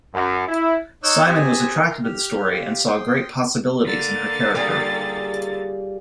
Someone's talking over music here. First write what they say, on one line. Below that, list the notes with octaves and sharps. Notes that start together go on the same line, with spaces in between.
Simon was attracted to the story and saw "great possibilities" in her character.
F#2
E4
D#4 C#5 D6 E6 F#6 G6
C4 G4 G#4 C5 G#5
A#4 C6
G4 F6
F4 G4
G5 C6 D#6
D3 A#3 A6
G3 F4 G#4